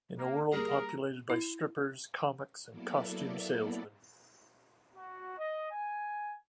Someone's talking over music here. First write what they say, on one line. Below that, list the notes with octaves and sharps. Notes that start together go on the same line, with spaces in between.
In a world populated by strippers, comics and costume salesman.
A#3
G3 A#3 G#4 A#4
E4
F#3 A#3 B3 E4 A4 D5
F#4
D#5
G#5